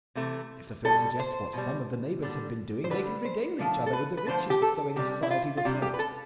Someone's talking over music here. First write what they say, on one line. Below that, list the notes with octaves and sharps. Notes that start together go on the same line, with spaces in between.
If the film suggests what some of the neighbors have been doing, they can regale each other with the richest sewing society report.
C3 E3 A3
B2 G3 A4
C5
B2 G3
D3 G3
C5
D3 G3 B4
C5
D3 F3 A3
A4
B4
B4
D3 F3 A3 C5
G4
A4
C3 G3 G4
E4
F4
F4
C3 G3 G4
G4
B4
A4